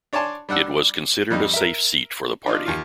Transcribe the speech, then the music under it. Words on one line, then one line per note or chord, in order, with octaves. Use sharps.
It was considered a safe seat for the party.
D4 C#5 D5 G#5 A5 C6
G3 D4 F#5 E6
F2 G3 D#4
A#4 E5
D4 D#4 F4
D#2 F4